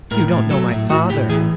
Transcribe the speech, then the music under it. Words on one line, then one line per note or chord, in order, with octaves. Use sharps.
"You don't know my father."
A2 A#4
A2
F#3 A4
A2
A2 F#4
A2 G4
E3 G#4